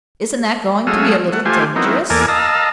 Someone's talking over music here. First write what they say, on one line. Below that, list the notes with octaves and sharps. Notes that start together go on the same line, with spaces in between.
"Isn't that going to be a little dangerous?"
F#3 G#3 A3 F5 D#6 E6
A3 F#5
A3 F4 G4 C5 G#5
F#3 B3 C4 D#4 E4 A#4
E2 A#3 A4 A#4 D5 G#5
D#5 F5 A5 A#5 E6